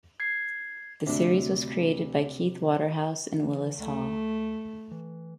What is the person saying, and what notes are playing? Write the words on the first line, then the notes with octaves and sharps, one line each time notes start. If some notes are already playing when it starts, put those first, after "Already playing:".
The series was created by Keith Waterhouse and Willis Hall.
G#6 C7
D2 C3 D4
E3
D2 A3
E3